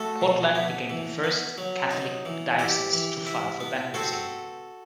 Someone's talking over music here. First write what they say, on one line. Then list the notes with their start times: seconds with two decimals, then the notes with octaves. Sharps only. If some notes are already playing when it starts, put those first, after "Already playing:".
Portland became the first Catholic diocese to file for bankruptcy.
Already playing: A3 F#4 A4
0.21 B2
0.55 B3
0.90 E3
1.24 B3
1.58 F#3
1.91 D#4
2.25 E3
2.59 E4 G4
2.93 E3
3.27 E4
3.60 B3
3.94 C4 F#4 A4